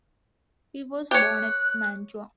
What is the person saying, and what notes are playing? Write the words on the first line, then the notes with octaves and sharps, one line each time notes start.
He was born at Mantua.
G4 C#5 F#6